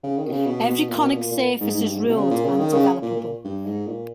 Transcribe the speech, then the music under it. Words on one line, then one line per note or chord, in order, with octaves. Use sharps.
Every conic surface is ruled and developable.
C#3
D#3
B2
C#3
B2
B2
A#2
B2
A#2
A#2
G#2
G#2
G2
G#2
B2
C#3
A#2
C#3
D#3
C#3
A#2
A#2
G2
G#2
A#2